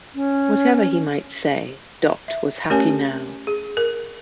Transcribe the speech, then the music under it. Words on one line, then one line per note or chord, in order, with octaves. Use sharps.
Whatever he might say Dot was happy now.
C#4
E5
A3 C#4 G4 A#4 C#5 G#5
G#4
A#4